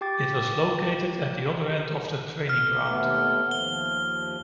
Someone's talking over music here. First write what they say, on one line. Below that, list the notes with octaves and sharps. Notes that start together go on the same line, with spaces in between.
It was located at the other end of the training ground.
G4 G5 D6 A6
F6
D#2 A3 B3
D#2 F3 G7